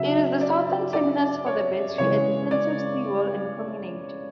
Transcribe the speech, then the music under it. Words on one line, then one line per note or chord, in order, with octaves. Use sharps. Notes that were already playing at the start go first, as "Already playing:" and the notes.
It is the southern terminus for the Battery, a defensive seawall and promenade.
Already playing: C#3 F#3 E5
D5
D5
C#5
C#3 E3 G#3 C#5
D5